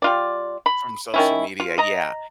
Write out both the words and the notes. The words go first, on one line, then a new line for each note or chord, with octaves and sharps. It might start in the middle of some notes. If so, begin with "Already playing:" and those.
from social media, yeah,
G3 F4 D5
B5
D#3 C#4 E4
F4
D#5 A#5